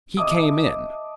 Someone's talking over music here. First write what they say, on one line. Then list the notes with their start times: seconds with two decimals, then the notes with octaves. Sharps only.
He came in.
0.17 D#5 E5 A5 D6 D#6